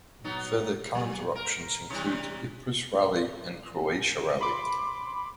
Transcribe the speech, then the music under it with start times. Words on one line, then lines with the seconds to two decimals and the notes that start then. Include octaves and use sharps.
Further calendar options included Ypres Rally and Croatia Rally.
0.24 F#3 B3 D#4
0.95 F#3
1.35 A#4
1.90 C3 E3 G3
4.41 B5 C6 D6